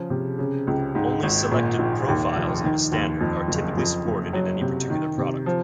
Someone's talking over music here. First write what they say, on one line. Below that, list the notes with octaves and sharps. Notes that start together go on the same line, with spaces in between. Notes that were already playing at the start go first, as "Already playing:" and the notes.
Only selected "profiles" of a standard are typically supported in any particular product.
Already playing: C#3 F3
C3
C#3
C#2
G#2
G#1
A#2
A#1
D#2
F1
D#3
D#2
F2
F#1
F2
F#1
F#3
C3
D#3
C3
F3